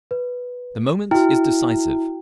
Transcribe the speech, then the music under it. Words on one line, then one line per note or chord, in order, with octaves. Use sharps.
The moment is decisive.
B4
E4 F#4 G5